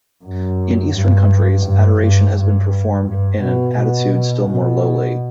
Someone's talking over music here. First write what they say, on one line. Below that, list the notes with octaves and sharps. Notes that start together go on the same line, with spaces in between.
In Eastern countries, adoration has been performed in an attitude still more lowly.
F#2
G2
G2
G2
G2
G2
B2
B2
B2